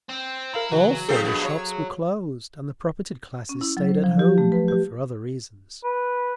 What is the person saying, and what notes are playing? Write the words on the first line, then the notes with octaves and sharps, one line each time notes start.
Also the shops were closed, and the propertied classes stayed at home--but for other reasons.
C4
E4 A#4 F5 A#5
C#3 E3 F#3 F#4
C#3 C4 G#4 A4 F5
G2 B2 B3
C#5
C#4
E4
F#3
C5
F3
G4
A3
B4
G4
B4